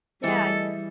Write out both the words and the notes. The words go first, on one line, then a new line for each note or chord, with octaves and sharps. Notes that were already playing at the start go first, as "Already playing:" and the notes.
Yeah, y
E3 G3 A3 E4 G#4 A4 D#5